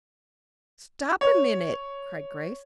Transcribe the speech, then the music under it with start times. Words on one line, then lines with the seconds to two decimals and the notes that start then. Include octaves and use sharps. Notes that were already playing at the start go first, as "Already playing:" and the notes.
"Stop a minute!" cried Grace.
1.21 C#5